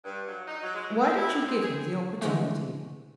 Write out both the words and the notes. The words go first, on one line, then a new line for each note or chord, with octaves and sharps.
"Why don't you give him the opportunity?"
G2
F#3
D#4
F#3
G#3
E3
C4
E4
A2
C4
G#4
D3 E3 F3 G#3 A3